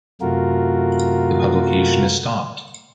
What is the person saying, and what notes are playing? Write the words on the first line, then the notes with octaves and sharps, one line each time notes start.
The publication is stopped.
F#2 C3 A3 F4 F#4 A#4